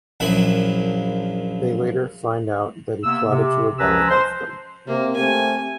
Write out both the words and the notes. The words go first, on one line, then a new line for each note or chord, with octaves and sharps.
They later find out that he plotted to rebel against them.
A#1 F#2 F3 E4 B5
C3 A#3 B3 E6
C3
C#2 F3 C#4 B4 A#5 E6
C5
C3 A#3
A3 C4 G4 G#5